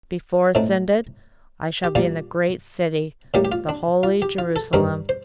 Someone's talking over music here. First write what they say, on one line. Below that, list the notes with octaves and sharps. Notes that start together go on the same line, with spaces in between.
Before it's ended I shall be in the Great City--the Holy Jerusalem.'
A2 A3 C4 D#4
G4
A#2 G3 A#3 F4
A2 G3 A#3 G4
G4
F4
D4
F4
G4
F4
A4
G2 D3 G3 C4 A#4
C5